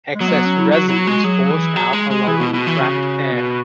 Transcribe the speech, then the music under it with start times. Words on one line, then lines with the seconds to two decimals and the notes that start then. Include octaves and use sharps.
Excess resin is forced out along with trapped air.
0.15 G#3
0.21 F#3 B3
0.28 G#3
0.33 B3
0.46 C#4
0.59 E4
0.72 F#3 F#4
0.89 F#3 E4
0.98 F#4
1.07 G#3
1.24 F#3 G#4
1.50 E3
1.76 F#3
1.93 G#3
2.11 G#3
2.27 E3 G#4
2.38 B2 F#4
2.47 E4
2.54 B2 F#4
2.67 E3
2.79 C#3 F#4
3.32 B2